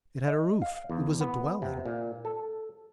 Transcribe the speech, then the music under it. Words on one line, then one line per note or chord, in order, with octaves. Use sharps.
It had a roof--it was a dwelling.
D#5
F5
E2
B3
C3
A#2
A4